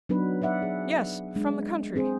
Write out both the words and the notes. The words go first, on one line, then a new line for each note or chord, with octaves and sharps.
Yes--from the country.'
F#3 B3 D4 D#4 B4
B4 D5 E5 F#5
G#4
G#3 D4
C4 G#4 C5